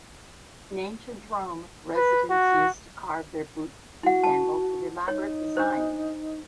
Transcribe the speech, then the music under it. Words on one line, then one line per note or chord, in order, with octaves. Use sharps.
In ancient Rome residents used to carve their boots and sandals with elaborate designs.
B4
F#4
E4 F#4 F#5
A5
D#4 C#5
D4 C5